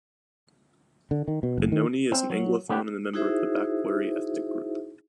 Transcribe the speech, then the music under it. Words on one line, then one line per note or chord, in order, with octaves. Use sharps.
Inoni is an Anglophone and a member of the Bakweri ethnic group.
D3
D#3
B2
F#1
D#3
C4
F#3
A3 B3 D4 G4
D#4 E4 F#4 G#4 C5 E5